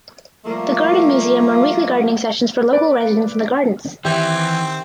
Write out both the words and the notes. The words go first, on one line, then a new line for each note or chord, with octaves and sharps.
The Garden Museum run weekly gardening sessions for local residents in the gardens.
F3 G3 A3 A#3
B4 D5
D#3 E3 C4 G4 E5